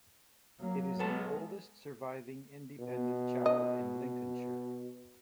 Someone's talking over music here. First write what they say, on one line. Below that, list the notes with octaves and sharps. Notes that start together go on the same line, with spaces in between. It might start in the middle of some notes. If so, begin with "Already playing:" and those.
It is the oldest surviving Independent chapel in Lincolnshire.
F#3 A#3
G#3 B3 A4 A5
B2
D#5